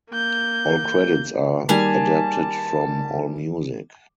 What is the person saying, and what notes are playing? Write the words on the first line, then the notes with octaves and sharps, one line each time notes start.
All credits are adapted from Allmusic.
A#3 G6
D#3 G3 A#3 G4 G#4 G#5 A5